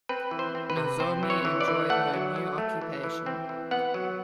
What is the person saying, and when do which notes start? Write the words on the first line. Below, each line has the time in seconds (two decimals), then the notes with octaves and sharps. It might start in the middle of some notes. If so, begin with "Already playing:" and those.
Nozomi enjoyed her new occupation.
0.09 C4 B4
0.31 E3
0.39 C5
0.55 C4
0.70 B4
0.77 C3
1.00 C4 C5
1.23 E3
1.30 C#5
1.45 E3
1.61 D5
1.68 E3
1.90 A3 F#5
2.14 F#3
2.36 F#3
2.58 A3
2.82 E3
3.04 E3
3.26 C4
3.49 E3
3.71 B3 F#5
3.94 F#3